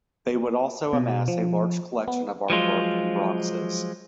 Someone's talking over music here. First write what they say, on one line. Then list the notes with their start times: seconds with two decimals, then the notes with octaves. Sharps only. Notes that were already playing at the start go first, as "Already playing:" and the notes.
They would also amass a large collection of artwork and bronzes.
0.93 B2
1.28 F3
2.08 B3
2.50 F3 F#3 G#3 F4